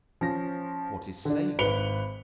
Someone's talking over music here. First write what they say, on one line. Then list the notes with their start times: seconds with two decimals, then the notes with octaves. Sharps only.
What is Sago?
0.21 F3 C#4 A#6
1.25 D3 D4
1.59 G#1 B4 C#7 F7 G7